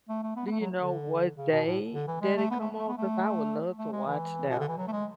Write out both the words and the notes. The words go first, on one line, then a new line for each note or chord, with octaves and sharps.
Do you know what day did it come on? 'Cause I would love to watch that one.
A3
A3
B3
B3
A3
F#3
D3
C#3
B2
A2
D3
E3
G#3
A3
B3
A3
A3
B3
A3
A3
G#3
E3
B2
D3
E3
F#3
A3
G#3